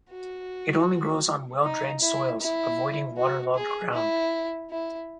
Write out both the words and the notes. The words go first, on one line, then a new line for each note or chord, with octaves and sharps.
It only grows on well-drained soils, avoiding waterlogged ground.
F#4
D#4
E4
E4
F#4
G#4
E4
E4